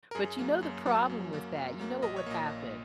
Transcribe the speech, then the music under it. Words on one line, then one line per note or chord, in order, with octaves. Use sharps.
but you know the problem with that, you know what would happen,
A#4
F#2 G#4
F#3 A#3
F#2
F#3 A#3
F#2
F#3 A#3
F#2
F#3 A#3
A#1 D#5
C#5
A#2 A#3 D#5
A#1